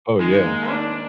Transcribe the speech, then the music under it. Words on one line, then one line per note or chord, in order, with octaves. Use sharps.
Oh, yeah.
D#3 G#3
A#3
D4 D#4